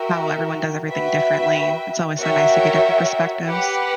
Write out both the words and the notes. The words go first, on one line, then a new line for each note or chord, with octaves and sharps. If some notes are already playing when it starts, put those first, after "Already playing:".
how everyone does everything differently. It's always so nice to get different perspectives.
Already playing: F#4 A#4 E5 G5
F#4 B4 E5 G5
F#4 A#4 C#5 E5 G5
G4 B4 F#5